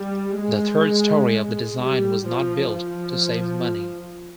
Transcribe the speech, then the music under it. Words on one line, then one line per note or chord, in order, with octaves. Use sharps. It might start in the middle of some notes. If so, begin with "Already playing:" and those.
The third story of the design was not built to save money.
Already playing: G3
G#3
G3
F3
F3